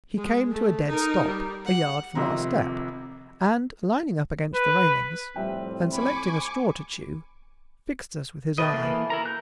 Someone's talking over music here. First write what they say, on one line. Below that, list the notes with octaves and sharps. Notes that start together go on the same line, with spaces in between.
He came to a dead stop, a yard from our step, and, leaning up against the railings, and selecting a straw to chew, fixed us with his eye.
G#3
A3
D#4 A#4
G3
F#5
G#1 F2 C3 C4 A#5
B4
F2 A2 G3 C4 E5 G5
G#5 B5 C#6 D6
B2 A3 B4 D#5
E3 A#3
E4 A#4 A#5
F#6 G6